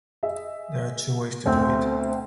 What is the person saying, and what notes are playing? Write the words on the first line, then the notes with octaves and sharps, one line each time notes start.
There are two ways to do it.
G#4 D#5 E5
D2 B2 C4